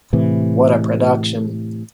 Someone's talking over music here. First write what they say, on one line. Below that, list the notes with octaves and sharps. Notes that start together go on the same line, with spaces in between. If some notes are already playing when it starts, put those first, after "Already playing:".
What a production!
A2 C3 E3